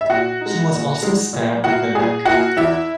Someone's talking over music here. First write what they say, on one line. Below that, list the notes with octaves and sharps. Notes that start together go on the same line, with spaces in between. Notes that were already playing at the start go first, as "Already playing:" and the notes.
He was also stabbed in the neck.
E5
A#2 F#4 F#5
D#4
G#3
A#2
G#3 D#4
A#2
A#3 E4 F#4 F#5
A#2 G#4 G#5
A#3 E4 F#4 F#5
E2 E4 E5